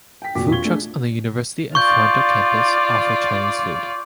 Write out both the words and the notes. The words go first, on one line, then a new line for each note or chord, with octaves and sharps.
Food trucks on the University of Toronto campus offer Chinese food.
G5 B6
F1 A#2 F#4 G5 D6 B6
E1 F4 C#6 G#6 G7
G#3 A3 D4
F4 D5 C#6 G6